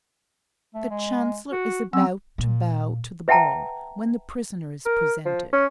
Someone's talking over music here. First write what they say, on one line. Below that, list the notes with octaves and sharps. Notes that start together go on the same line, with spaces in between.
The Chancellor is about to bow to the bar when the prisoner is presented.
A3
G#3
F#4
F#3 C4 C#4 E6
A#2
B4 E5 F#5 G5 A5 A#5
A#4
F3
C#4